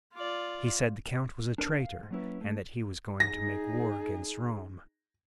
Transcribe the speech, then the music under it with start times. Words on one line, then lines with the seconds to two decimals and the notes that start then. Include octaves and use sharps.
He said the count was a traitor, and that he was going to make war against Rome.
0.14 F4 D5
1.58 D4 A#4 D5
1.77 F5
1.99 E2 G#2
2.11 F#3 A#3 C#4 E4 B4
2.41 A3
3.20 D#4 G#4 A#6